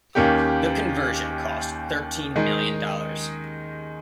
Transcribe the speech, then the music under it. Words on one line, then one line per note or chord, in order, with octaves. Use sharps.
The conversion cost thirteen million dollars.
D#2 D#3 A#3 C#4 G4
D#3 G#3 D#4